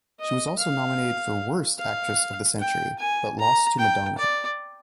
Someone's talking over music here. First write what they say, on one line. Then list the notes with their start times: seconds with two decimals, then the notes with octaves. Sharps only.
She was also nominated for Worst Actress of the Century, but lost to Madonna.
0.20 D#5
0.59 F5
1.78 F5
2.59 G5
2.99 G#5
3.39 A#5
3.79 G5
4.18 D5